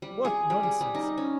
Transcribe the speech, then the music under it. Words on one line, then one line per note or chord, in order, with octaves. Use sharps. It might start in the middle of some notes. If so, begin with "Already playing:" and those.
"What nonsense!"
G3
G#4
G3
G#4
G3
D#4
C#4